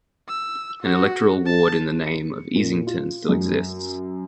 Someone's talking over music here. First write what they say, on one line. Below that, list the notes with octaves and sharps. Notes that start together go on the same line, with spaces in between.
An electoral ward in the name of Easington still exists.
E6
F#4
A5
C#7
A#2
F4
F#2